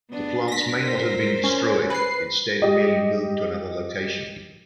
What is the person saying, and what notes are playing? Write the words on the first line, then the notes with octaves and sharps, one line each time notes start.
The plants may not have been destroyed, instead merely moved to another location.
B3 D4
A#6 B6
A#4 C5
C#4
B4 C7
G4 D#5